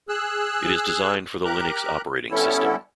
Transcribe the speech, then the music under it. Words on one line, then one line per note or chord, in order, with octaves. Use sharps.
It is designed for the Linux operating system.
G#4 E6 F#6
G4 A#4 A#5 F#6
D3 G3 B3 C#4 E4 A4